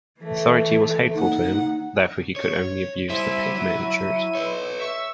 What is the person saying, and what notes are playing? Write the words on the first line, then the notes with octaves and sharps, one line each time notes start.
Authority was hateful to him, therefore he could only abuse the pit-managers.
E3 A3
D#2 D#4 F#5
C#5
G3 E4 C5 E5 D#7
F#3
B4 C#5
E5 C#6 E6